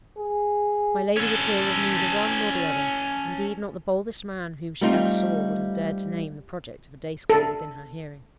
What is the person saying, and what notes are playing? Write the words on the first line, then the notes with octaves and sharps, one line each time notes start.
My lady would hear of neither one nor the other: indeed, not the boldest man whom she ever saw would have dared to name the project of a day-school within her hearing.
G#4
C#4 A4
G3 A3 C4 D#4 F4
A4